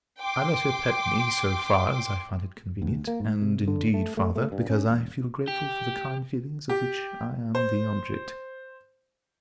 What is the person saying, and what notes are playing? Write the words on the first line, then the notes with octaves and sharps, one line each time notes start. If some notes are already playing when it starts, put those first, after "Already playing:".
I let her pet me, so far as I find it convenient, and, indeed, farther, because I feel grateful for the kind feelings of which I am the object.
G5 C6 D6
D2
A#3
G#2
C3
D3
A3
A3
A3
G2
C#4
E1
G4
G4
C5